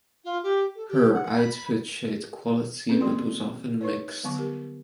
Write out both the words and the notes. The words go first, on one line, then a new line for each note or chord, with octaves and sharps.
Her output showed quality but was often mixed.
F4
G4
A4
G4
F#5
B5
C4 C#4 G#4 A4 B4
E3 A#3 F#4 D5 G5 C6
D#4 B4 C#5
D3 F#3 G3 B3 C#6 D6
G4 A#4